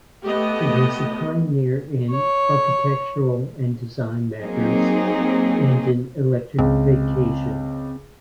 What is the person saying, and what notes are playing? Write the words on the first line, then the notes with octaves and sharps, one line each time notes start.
It was a pioneer in architectural and design matters and in electrification.
A3 B3 G4 D#5
C#5
F#3 A#3 C4 D#4 G#4
C#2 C4